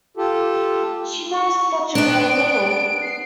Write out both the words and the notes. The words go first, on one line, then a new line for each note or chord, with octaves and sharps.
She knows such a very little!
F4 G4 A4
C#6
B3 D4 D7
C7